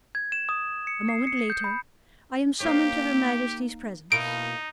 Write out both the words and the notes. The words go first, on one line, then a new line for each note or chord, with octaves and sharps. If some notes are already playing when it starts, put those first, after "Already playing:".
A moment later I am summoned to Her Majesty's presence.
G#6
E7
D#6
C#7
C7
C#7
G6
B5
A#3 D#4 G4 C#5
B2 A#3 D#4 E4 D7